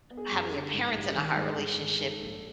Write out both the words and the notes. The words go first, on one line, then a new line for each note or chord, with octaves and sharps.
having your parents in a hard relationship,
B3
G#4
F#2
G4
D3
G#2
A#1 G4
D#3 G4
G#2 G#4
G#2 G#4
D#3
G#2 A4
A#1